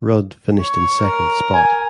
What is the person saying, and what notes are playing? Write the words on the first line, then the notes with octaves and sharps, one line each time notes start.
Rudd finished in second spot.
C#5
A#4
G#5